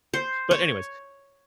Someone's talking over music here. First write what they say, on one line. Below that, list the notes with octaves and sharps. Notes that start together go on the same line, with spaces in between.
but anyways,
C5
C#5